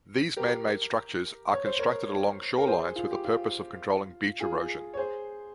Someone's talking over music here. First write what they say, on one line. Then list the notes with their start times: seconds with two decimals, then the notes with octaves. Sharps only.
These manmade structures are constructed along shorelines with the purpose of controlling beach erosion.
0.37 G4 A#4
1.53 C#5
1.66 C5
1.79 A#4 C#5
2.58 A#4
2.67 G#4 C5
2.96 F4
3.11 G4
3.25 F4
4.40 F4 G#4
4.94 C#5
4.97 G#4 C5